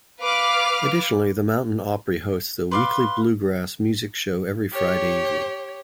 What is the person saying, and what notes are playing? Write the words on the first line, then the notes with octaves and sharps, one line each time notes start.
Additionally, the Mountain Opry hosts a weekly bluegrass music show every Friday evening.
B4 F5 D6 F6
B4 D5 F5 C6
G4 C#5